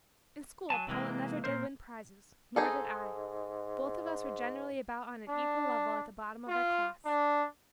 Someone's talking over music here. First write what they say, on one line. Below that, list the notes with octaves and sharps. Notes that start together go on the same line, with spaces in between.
In school Paula never did win prizes--nor did I. Both of us were generally about on an equal level at the bottom of our class.
F#3 G#5 A5
C3 E3 F#3 G#3 A#3
A#2 G#3 A#4 C5
G#2 D#4 G#4 A4
D4
F4
D4